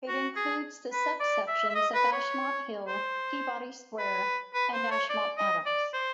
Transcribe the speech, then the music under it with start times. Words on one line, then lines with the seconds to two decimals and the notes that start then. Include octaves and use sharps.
It includes the subsections of Ashmont Hill, Peabody Square, and Ashmont-Adams.
0.08 F#4
0.36 G#4
0.93 B4
1.20 D5
1.48 E5
1.69 E5
1.75 D#5
1.94 B4
2.13 C#5
2.88 C5
3.99 B4
4.54 B4
4.73 C5
4.91 C#5
5.10 D5
5.38 D#5
5.66 D5
5.93 C5